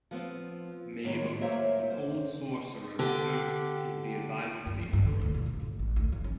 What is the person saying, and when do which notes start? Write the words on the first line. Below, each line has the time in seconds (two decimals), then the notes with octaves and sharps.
Mabo - An old sorcerer who serves as the advisor to the emperor.
0.11 F3 B3 C4
1.04 A2 D#3 F#3 G#3
1.41 F#3 A#3 A#4 C5 C#5 E5
1.90 C5
2.99 D3 G4
4.66 F#2
4.78 F3
4.93 G2
5.05 D3
5.22 D2
5.34 A#2
5.46 D#2
5.60 G1
5.79 A1
5.96 D2
6.12 F#3
6.24 C#4